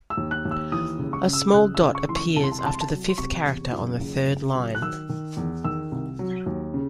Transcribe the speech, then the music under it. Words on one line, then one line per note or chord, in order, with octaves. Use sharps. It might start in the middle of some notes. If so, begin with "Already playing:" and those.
A small dot appears after the fifth character on the third line.
E6
D#2
F#6
D#2
E6
E3 D#6
C#2
C#6
C#3
E6
C#2 F#6
E6
C#2
C#6
E3 C6
C#6
C2 A5
C6
A5
C6
C2 A5
C6
A5
F#3
C6
C3 C#6
E2
F#1
C#2
C#2
F#3
F#6
D#3 E6
D#3
E2
D#3 E6
C2
F#3
D#2
C#3